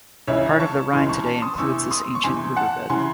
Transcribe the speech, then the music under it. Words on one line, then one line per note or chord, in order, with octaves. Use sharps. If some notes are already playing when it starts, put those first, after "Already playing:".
Part of the Rhine today includes this ancient riverbed.
C#2 C#3 E3 C#5 E5
A5 C#6
C#2 C#3 E3 G#5 C6
A5 C#6
A5 C#6
C6 D#6
E2 C3 E3 C#6 E6
C6 D#6
C#6
E2 C3 E3 G#5 C6
F#5 A5
C#3 E3 G#5 C6